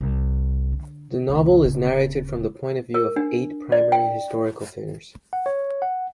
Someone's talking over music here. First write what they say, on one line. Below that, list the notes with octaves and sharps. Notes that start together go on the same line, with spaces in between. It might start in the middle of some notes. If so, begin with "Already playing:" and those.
The novel is narrated from the point of view of eight primary historical figures.
C2
D3
F#1 C#2
D1 C#3
A#4
D4
D5
G5
F#5
C#5
F#5